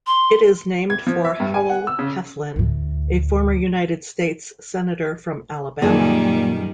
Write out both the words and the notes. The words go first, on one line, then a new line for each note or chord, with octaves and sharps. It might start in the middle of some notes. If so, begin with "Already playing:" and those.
It is named for Howell Heflin, a former United States Senator from Alabama.
C6
G#6
F3
E5
G2
G#5
F#5
E6
C#3
D2 A2
F#2 A#2 D#3 G3 G#4 A4